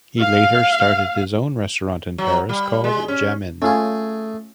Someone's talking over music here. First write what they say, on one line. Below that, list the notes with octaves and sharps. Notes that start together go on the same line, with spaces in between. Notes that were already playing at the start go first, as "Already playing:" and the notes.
He later started his own restaurant in Paris called "Jamin".
F5
F#3
G3
G#3
C#4
A3 C#4 F4 G#4